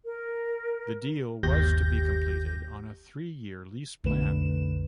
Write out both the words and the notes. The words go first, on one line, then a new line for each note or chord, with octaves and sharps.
The deal was to be completed on a three-year lease plan.
A#4
G1 D#2 G4 G6 A#6
B1 F2 D3 A3 B4 E7